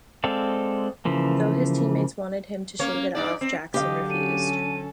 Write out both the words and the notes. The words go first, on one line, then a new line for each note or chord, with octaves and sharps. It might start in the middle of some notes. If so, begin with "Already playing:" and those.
Though his teammates wanted him to shave it off, Jackson refused.
G#3 C4 A4 D5 F5
C#3 E3 F3 A#3
A#3 C#4 C#5
G2 D#4 D5
C4
D3 F#3 G4 D#5 F5
C#4 A4 D#7